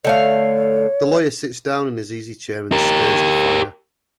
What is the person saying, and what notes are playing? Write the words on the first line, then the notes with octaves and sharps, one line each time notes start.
The lawyer sits down in his easy-chair and stirs the fire.
D3 A3 C#5 F5
G4 A#4